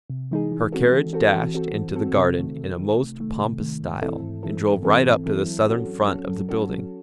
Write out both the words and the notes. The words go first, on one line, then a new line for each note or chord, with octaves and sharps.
Her carriage dashed into the garden in a most pompous style, and drove right up to the southern front of the building.
C3
E3 G#3 D#4 G#4
E3
C4 F#4 A4
E3
C4 F#4 A4
E3
C4 F#4 A4
E3
C4 F#4 A4
C3
D#3 A3
C3
D#3 A3
C3
D#3 A3
C3
D#3 A3
G#2
E3 C4 E4 A4
G#2
E3 C4 E4 A4
G#2
E3 C4 E4 A4
G#2
E3 C4 E4 A4
F#3
C#4 F#4 A4
F#3
C#4 F#4 A4
F#3
C#4 F#4 A4
F#3